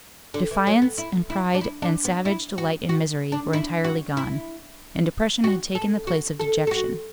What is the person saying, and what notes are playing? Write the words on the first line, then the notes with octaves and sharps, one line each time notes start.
Defiance, and pride, and savage delight in misery, were entirely gone; and depression had taken the place of dejection.
D3
E3
F#3
B3
E4
E4
D4
E4
D4
B3
E4
F#4
F#4
D4
E4
F#4
E4
F#4
A4
F#4
A4
A4
F#4